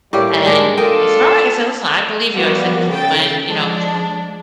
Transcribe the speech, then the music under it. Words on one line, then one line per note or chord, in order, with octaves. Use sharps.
And, I said, "Alright" I said, "Listen, I believe you," I said, "when," you know,
A2 G3 A#3 G4 D5
G#3 D4 A#4
D4 F4 A4 A#4 D#5 G5
F3 G3 A#3 B3 F#4
C#3 A4 G5 A6
F3 G#3 D4